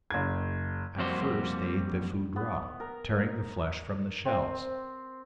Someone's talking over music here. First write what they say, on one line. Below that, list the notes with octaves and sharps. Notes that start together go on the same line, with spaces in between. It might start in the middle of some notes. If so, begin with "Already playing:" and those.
At first they ate the food raw, tearing the flesh from the shells.
F#1 G#6
F2 G3 A#3 F#4 C5 C6
B3
A#4
C4